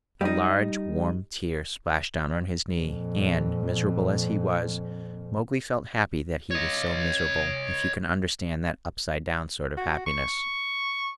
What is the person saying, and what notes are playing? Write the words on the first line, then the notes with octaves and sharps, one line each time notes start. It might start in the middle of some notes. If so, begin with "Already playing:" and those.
A large, warm tear splashed down on his knee, and, miserable as he was, Mowgli felt happy that he was so miserable, if you can understand that upside-down sort of happiness.
G3 D#4
F2 A#2
C#5 D#5
F#4
C#6